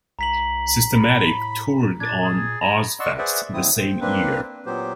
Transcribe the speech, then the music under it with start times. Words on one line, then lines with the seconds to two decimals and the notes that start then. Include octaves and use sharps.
Systematic toured on Ozzfest the same year.
0.19 C2 A#5 B6 F#7
0.94 A2 B5
2.00 A#2 D4 G#6 A6
2.24 G#4
2.61 A#5 B5
3.00 D5 D#5 F#5 C6 C#6 E6
3.18 G#4 B4 C5 D5 E5 F#5
3.54 D#2 D3 C4 E4 D#6
3.78 C5 G5
4.01 A#3 C4 D4 B4
4.66 A#2 F#3 B3 G4 C5